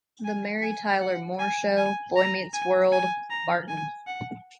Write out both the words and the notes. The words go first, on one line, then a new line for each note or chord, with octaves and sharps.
"The Mary Tyler Moore Show", "Boy Meets World", "Martin".
G#5
G#5
F#5
G#5
G#5
A#5
G#5
G#5
A#5
G#5
F#5